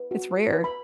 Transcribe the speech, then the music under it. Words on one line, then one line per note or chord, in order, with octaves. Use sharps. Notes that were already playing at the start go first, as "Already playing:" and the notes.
It's rare.
Already playing: B4
F#4
F#4
B4
B5